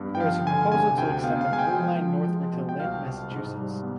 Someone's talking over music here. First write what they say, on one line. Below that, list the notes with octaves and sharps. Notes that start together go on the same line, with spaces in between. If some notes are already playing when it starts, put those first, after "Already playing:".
There is a proposal to extend the Blue Line northward to Lynn, Massachusetts.
Already playing: G2 B3
G5
F3 F5
D3 G#5
C3 G#5
D2 G5
B3 F5
F5
G#3 G#5
G5
F3
F3
G#3
B2
G5
C2 F5
C2
G#2
G3
B3